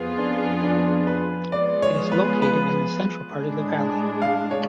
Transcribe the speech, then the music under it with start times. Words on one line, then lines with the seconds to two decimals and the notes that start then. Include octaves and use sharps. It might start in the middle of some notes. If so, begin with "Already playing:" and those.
It is located in the central part of the Valley.
Already playing: F2 F3 B3 F4 G#4
0.18 D4
0.63 D4
1.07 B4
1.52 F3 G#3 B3 F4 G#4 D5
1.82 C#5
2.12 B4
2.42 B4
3.31 A2 G#3 D4 G#4
4.22 F5
4.51 C#5